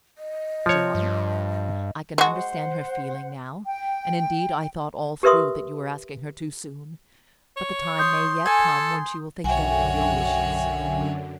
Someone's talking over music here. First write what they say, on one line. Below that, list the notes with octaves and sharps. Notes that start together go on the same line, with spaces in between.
"And, John;--I can understand her feeling now; and indeed, I thought all through that you were asking her too soon; but the time may yet come when she will think better of your wishes."
D#5
F3 C#5
G2
G#3 F#4 F#5 A5
C5 F#5
G5
G4 A#4 B4 E5 C6 D#6
C#5
C6 D#6 G6
A4 G#5
B1 F#2 D3 F#4 C#5 E5 G5 G#5